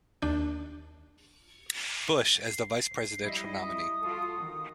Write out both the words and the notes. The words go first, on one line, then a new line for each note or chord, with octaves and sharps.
Bush, as the vice-presidential nominee.
D#2 D4 G6
C7
G3 E4 D#5
D#6
F4 F#4 A4
D#3